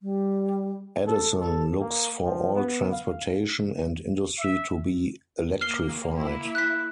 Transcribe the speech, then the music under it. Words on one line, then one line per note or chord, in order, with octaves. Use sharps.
Edison looks for all transportation and industry to be electrified.
G3
A4
A4
A#3
F3
B3
F5
E5
A#3 F6 C7 G7
A#3 E4
F#6 B6